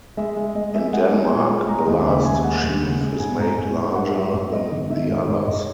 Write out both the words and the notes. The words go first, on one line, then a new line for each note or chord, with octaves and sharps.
In Denmark, the last sheaf is made larger than the others.
G#3 E5
G#3
G#3 D#5
G#3 E5
G#3 F#5
G#3
A#2 G#5
G#3
G#3 A#5
D#2 D#5
C#3 E5
D#2 G#5
G#3 F#5
D#2
C#3
G#3
G#2 G#5
G#2 A#5
G#2 G#5
G#2
G#2 F#5
F#3 E5
G#2 E5
G#2 D#5
D#3 D#5
D#3 E5
G#2 D#5
G#2 C#5
G#2 D#5